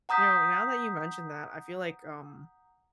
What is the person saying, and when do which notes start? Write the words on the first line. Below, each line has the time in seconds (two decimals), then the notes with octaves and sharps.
you know, now that you mentioned that, I feel like, um
0.09 F#5 A#5 D#6 G6 B6